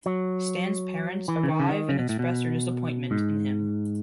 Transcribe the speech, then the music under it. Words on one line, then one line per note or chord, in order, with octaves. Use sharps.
Stan's parents arrive and express their disappointment in him.
F#3
E3
C#3
D#3
C#3
D#3
C#3
B2
A2
B2
G#2